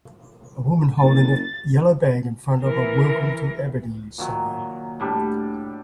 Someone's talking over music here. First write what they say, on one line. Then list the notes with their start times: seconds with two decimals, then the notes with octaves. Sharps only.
A woman holding a yellow bag in front of a Welcome to Aberdeen sign.
1.02 F#1 A6
2.66 E3 A#4
4.18 A#2 D#3 F#3
5.00 A2 G3 D4